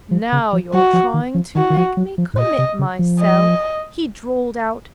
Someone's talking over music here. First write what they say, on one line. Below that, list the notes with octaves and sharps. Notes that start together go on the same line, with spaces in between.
'Now you're trying to make me commit myself,' he drawled out.
F3
C#3
F3
F#3 F#4
F3
D#3
F3
D#3 F#4
D#3
F3
F#3
F3
G#2
A#2 D#5
C3
C#3
F3
D#5